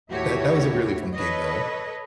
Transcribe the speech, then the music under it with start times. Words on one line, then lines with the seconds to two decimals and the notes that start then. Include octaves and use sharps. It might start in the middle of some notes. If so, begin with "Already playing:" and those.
that that was a really fun game, though.
0.11 D#2 A2 E4 F#4 G4 C#5
1.15 A4 B4 C#5 D#5